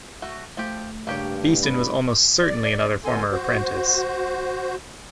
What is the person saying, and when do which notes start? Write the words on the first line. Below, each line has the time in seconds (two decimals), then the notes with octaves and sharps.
Beeston was almost certainly another former apprentice.
0.22 A3 F#4
0.57 F3 A3 G4
1.07 G2 C#3 A#3 G4 C#5
1.63 B3 C4 B5
2.42 D5
3.05 A#2 D3 B3 A4 G#5 C6
3.32 F#4 C5